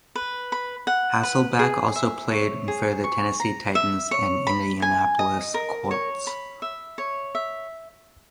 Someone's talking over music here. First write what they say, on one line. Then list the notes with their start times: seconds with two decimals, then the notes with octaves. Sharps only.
Hasselbeck also played for the Tennessee Titans and Indianapolis Colts.
0.15 B4
0.52 B5
0.87 F#5
1.23 B4
1.59 G#4
1.96 E5
2.31 C#5
2.68 G#4
3.04 C#6
3.40 A#5
3.75 E5
4.11 C#5
4.47 B5
4.82 G#5
5.19 D#5
5.54 A#4
5.91 C#5
6.27 B5
6.62 E5
6.98 C#5
7.35 E5